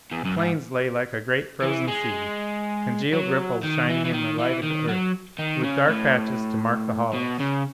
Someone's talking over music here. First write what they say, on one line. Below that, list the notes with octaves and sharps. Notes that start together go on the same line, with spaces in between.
The plains lay Like a great frozen sea, congealed ripples shining in the light of the Earth, with dark patches to mark the hollows.
E2
F#2
G#2
E3
G#3
F#3
D#3
E3
E3
D#3
E3
D#3
F#3
D#3
C#3
A2
B2
C#3